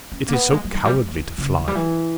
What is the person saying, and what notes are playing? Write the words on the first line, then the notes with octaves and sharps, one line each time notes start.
"It is so cowardly to fly!"
C#4
A#3
B3
A#3
G#3
G3
D#3
G3
G#3
E3
C#3
E3
G3
E3